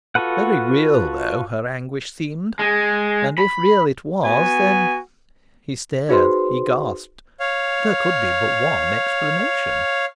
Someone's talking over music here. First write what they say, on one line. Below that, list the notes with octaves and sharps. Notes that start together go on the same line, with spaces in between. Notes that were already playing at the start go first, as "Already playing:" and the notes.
Very real, though, her anguish seemed; and, if real it was, then--he stared, he gasped--there could be but one explanation.
F4 F#4 A4 B4 F#5
G#3
B5
B3 F#4 G#5
D#4 F#4 G#4 B4 C5 C6
C#5 F5